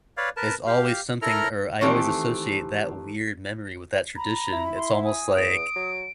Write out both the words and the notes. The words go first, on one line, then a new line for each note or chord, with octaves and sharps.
is always something or I always associate that weird memory with that tradition, it's almost like
B4 C#5 D5 F5
A#4 B4 A5
G4 F5
E4 A4 A#4 A#5 F6
D#3 E3 A3 C4 G4 A4
A#5 B5
E4
C6
G#5 D#6
E2 D7
F#3